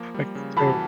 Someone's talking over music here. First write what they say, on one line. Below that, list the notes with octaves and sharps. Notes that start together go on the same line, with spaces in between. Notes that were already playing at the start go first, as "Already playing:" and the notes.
Like, so
Already playing: F3 A#3
G3
C#3
E3 A5 B5